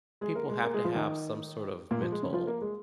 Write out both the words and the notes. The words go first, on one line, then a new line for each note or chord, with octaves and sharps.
people have to have some sort of mental
G#3 G#4
A#3 A#4
G#3 G#4
A#3 A#4
G#3 G#4
F3 F4
D#3 D#4
A#2 A#3
F3
G#3
C#3 C#4
F3 F4
A#3 A#4
G#3 G#4